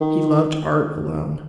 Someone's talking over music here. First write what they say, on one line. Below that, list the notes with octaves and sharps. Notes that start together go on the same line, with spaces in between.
He loved art alone.
D#3